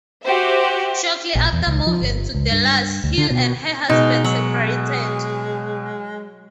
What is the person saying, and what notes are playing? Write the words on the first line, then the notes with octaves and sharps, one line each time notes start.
Shortly after moving to Dallas, Hill and her husband separated.
F#4 G4 C5 E5
A#1
E2
C#2
F3
G1
C#2
G2
D2
D3
B2
B2 G#3 D#4
F#3